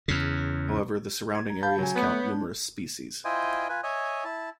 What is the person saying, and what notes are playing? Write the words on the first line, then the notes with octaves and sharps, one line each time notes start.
However, the surrounding areas count numerous species.
E2 C#3
G#6
A#5
F5 A5 B5 G6
C#3 F#3 G#5
A3 B3 C#5
D4
E4 F4 C5 D#5 G5 G#5
F4 B4 G#5
C#5 D#5 E5 G#5
E4 A5